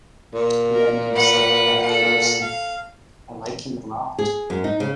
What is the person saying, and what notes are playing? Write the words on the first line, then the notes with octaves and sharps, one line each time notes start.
Lennon said about Wilson, I like him a lot.
A#2
A#4
B4 F#5
A4 F#5
F5
G#4
F#2
D#4
C#3